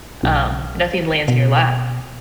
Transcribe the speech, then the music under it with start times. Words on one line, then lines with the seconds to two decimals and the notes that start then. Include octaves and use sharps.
Um, nothing lands in your lap.
0.23 B1
1.28 B2